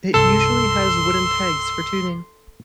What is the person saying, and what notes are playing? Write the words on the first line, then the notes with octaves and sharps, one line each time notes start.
It usually has wooden pegs for tuning.
C2 G2 C3 A4 C6 E6